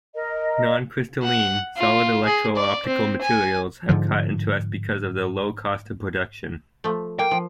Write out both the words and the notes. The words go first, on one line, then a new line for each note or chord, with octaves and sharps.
Non-crystalline, solid electro-optical materials have caught interest because of their low cost of production.
A#4 D#5
F#5
F4
G#4
D5
C4
G#5
G#2 D3 F3
F3 A3
A#3 G5
F3